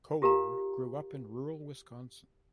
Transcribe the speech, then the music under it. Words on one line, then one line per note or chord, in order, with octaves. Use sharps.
Koehler grew up in rural Wisconsin.
F4 G4 A#4 F5 A#5